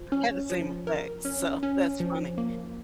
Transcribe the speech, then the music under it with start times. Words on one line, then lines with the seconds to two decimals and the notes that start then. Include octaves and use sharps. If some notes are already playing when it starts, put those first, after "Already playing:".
had the same effect. So, that's funny.
Already playing: F3
0.12 C#4
0.50 F3
0.87 A#4
1.25 C#4
1.63 C#4
2.00 F3
2.38 A#3